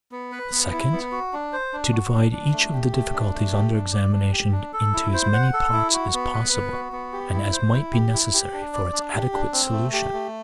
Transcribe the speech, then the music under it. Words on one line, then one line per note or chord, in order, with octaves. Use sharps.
The second, to divide each of the difficulties under examination into as many parts as possible, and as might be necessary for its adequate solution.
B3
B4
B3
E4
B3
F#4
D4
C5
D4
F#4
D4
D4
A3
G4
A3
D4
A3
G4
D4
D5
D4
G4
D4
A4
E4
C5
F#5
A4
E4
F#4
B3
B4
B3
F#4
B3
G4
E4
C5
E4
G4
E4
G4
D4
D5
D4
G4
D4
C4
A3
G4
A3